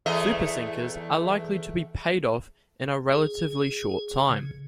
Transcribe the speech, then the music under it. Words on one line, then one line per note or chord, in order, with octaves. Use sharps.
Super sinkers are likely to be paid off in a relatively short time.
E2 A3 D#5
G#4
C#3